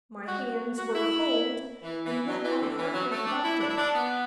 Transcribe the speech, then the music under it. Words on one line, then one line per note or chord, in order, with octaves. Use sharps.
My hands were cold--and yet I hardly felt it.
F#4
F#4
E4
E3
E3
F#3
E3
D3
E3
F#3
A3
D4
E4
D4
E4
D4
B3